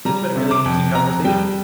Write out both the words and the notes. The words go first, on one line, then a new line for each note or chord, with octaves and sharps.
It's been a really interesting conversation.
G3 A#5
C3
D6
F2
F2 A#5
G3 G5